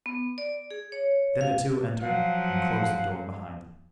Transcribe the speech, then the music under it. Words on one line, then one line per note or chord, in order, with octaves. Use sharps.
Then the two entered and closed the door behind them.
B3
D5
G#4
C#5
F5
F3 F#3 F5 F#5